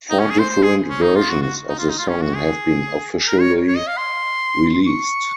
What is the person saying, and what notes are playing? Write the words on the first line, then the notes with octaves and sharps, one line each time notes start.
Four different versions of the song have been officially released.
D#4
C#4
G#4
C5
C5
G#4
C#4
D#4
F4
F#4
F#4
D#4
F4
D#4
F4
C#4
F#4
G#4
A#4
C#5
C#5
D#5
F5
C6
C#6